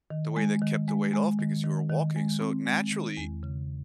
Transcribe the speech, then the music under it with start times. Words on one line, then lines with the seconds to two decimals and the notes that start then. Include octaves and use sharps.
the way that kept the weight off because you were walking, so, naturally,
0.10 D#3
0.37 G#3
0.62 D#3
0.88 G#3
1.13 G#3
1.39 D#3
1.64 D#3
1.89 D#3
2.16 G#3
2.41 C4
2.66 G#3
2.92 D#3
3.17 E2
3.43 C#3